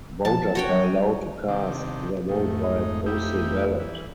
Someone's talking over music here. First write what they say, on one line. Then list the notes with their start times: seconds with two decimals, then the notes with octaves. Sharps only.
Voters are allowed to cast their vote by postal ballot.
0.25 F3 A5
0.55 F#4 C#5 G5
0.70 F#3 C#4
0.93 G3
1.48 C3 D#3 D4
2.29 F2 A2 D#3 F3 A3
2.63 G#2 D#4
3.06 D#4 E4 G4
3.80 E3